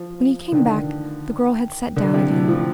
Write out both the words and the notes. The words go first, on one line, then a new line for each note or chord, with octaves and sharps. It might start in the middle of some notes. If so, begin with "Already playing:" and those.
When he came back the girl had sat down again.
Already playing: F3
D3
D#3
D3
C3
A2
F3